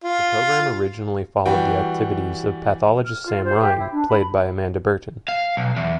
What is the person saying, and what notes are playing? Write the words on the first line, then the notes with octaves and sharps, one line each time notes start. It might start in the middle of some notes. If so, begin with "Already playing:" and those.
The programme originally followed the activities of pathologist Sam Ryan, played by Amanda Burton.
F4
E3 G3 F#4 G5
F6
F4
C5
G4
E4
D4
B5
F5
B1
E2